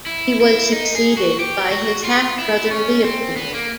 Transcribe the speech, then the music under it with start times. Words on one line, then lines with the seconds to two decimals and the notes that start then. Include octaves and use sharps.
He was succeeded by his half brother, Leopold.
0.06 E4
0.40 E4
0.72 D#4
0.95 G#4
1.17 F#4
1.39 G4
1.71 F#4
2.04 F4
2.39 E4
2.71 C#4
3.04 C4
3.36 B3
3.54 A#3